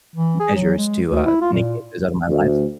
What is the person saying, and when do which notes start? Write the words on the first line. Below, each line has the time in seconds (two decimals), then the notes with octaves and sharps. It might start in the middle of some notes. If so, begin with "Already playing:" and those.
measures to, uh, negate those out of my life so I
0.16 E3
0.40 G#4
0.55 F#3
0.78 G#3
1.11 D2
1.26 E4
1.41 F4
1.53 A#2
2.28 D2